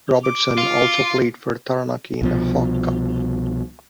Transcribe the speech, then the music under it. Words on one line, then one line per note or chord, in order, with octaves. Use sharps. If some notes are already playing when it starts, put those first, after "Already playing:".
Robertson also played for Taranaki in the Hawke Cup.
D6
F4
C2 B2 F3